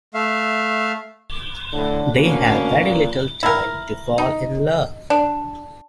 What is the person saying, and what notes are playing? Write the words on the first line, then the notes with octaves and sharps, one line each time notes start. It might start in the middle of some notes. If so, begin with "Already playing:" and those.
They have very little time to fall in love.
A3 E5 F5
A2 D3
D2 A#3 B3 C#4
A#2
E4 A#4
D#4
D4